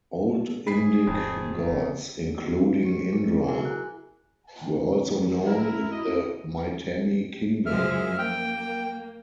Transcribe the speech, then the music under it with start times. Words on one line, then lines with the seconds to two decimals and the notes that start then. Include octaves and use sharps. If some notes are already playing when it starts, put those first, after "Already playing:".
Old Indic gods, including Indra, were also known in the Mitanni kingdom.
0.67 G#4 B5 B6 C7
1.07 D1 F2
2.45 F#4
2.83 G4 C#7
3.13 G#4
3.47 E4 F#4 G#4 A#4 G#5
3.65 F#6
4.61 D#3 E3 A#3
5.46 E4 A#4
5.91 F#4 D#5
7.66 F#2 F3 G#3 E5 F6
8.19 A#3 G5